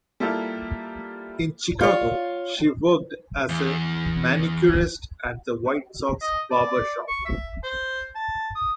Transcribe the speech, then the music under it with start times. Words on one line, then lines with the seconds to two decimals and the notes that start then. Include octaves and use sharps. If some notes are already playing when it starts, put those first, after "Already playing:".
In Chicago, she worked as a manicurist at the White Sox Barber Shop.
0.20 G3 A#3 E4 F4 A4
1.81 F4 C#5
3.49 E2
6.21 D#5
6.51 D5
7.08 C#6
7.25 E5
7.63 C5
8.15 A5
8.55 D#6